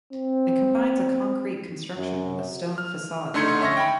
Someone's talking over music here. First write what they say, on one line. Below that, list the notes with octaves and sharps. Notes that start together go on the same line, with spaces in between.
It combines a concrete construction with a stone facade design.
C4
F#2
F6
D3 A3 D#4 C6 G#6 C#7
C#4 E5 C#6 G#6 A#6
G5 B5